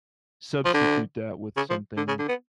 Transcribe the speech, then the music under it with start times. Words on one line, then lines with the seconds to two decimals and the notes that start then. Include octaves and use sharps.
substitute that with something
0.65 F3
0.74 D3
1.56 C#3
1.70 F3
1.97 D3
2.08 C#3
2.19 D3
2.29 B3